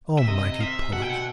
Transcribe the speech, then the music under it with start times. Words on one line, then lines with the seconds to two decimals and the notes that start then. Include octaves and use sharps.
O, mighty poet!
0.19 E5
0.28 C3 D#5
0.60 E5
0.93 B2 F#5
1.02 G5
1.09 F#5